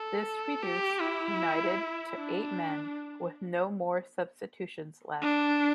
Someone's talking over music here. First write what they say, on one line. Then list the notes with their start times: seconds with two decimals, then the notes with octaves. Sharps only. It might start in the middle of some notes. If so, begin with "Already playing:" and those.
This reduced United to eight men, with no more substitutions left.
Already playing: A4
0.63 G4
1.01 E4
2.16 D4
5.22 D4